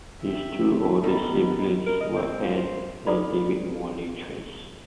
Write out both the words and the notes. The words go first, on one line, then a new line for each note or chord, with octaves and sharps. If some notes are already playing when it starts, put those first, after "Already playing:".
His two older siblings were Ann and David Morley Trace.
C4 E5
D#3 G3 B3 A4 D#5 A#5 B5
A#4
D#5
C4
F4
C5
D#4 G#4 A4 B4 D5 B5